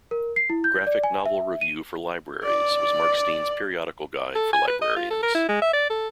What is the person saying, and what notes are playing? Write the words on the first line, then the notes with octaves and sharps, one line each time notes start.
"Graphic Novel Review for Libraries" was Markstein's periodical guide for librarians.
A#4
C7
E4
G6
D5
G#5
E5
D#7
D5
A4
G#5
B4
D#5
F4
A4
A#4
E4
G#3
E5
D5
A4